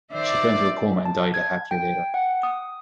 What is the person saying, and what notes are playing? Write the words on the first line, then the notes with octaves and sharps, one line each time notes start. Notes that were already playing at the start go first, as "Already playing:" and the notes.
She fell into a coma and died a half year later.
D#3 C5 D5 E5
A5
G#6
G5
F#5
D#6